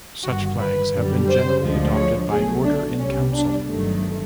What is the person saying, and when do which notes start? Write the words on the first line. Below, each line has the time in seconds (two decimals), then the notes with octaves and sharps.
Such flags have generally been adopted by Order in Council.
0.24 G1 G2 D#3 F#4
0.58 B4
0.92 F#2 D3 G3
1.27 C5
1.61 D2 D3 F3 G#3
1.96 C#5
2.30 B1 B2 F#3 A3 G#4
2.64 D4
2.98 C2 B2 G3 C#4
3.33 D4
3.68 G1 G2 D#3 F#3 A3